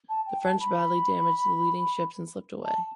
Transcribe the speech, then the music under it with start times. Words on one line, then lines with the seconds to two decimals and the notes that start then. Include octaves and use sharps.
The French badly damaged the leading ships and slipped away.
0.09 A5
0.27 G5
0.44 A5
0.60 B5
2.65 A5